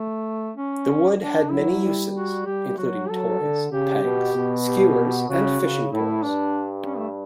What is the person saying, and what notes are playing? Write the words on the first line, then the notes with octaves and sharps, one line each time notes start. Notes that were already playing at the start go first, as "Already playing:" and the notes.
The wood had many uses, including toys, pegs, skewers, and fishing poles.
Already playing: A3
C#4
D4
F#3 E4
G3
F#4
G3 G4
F#3 F#4
F#3 A4
D3
C#3 G4
B2
B2
G4
C#3 F#4
C#3
A2 E4
G2 D4
C#4
A3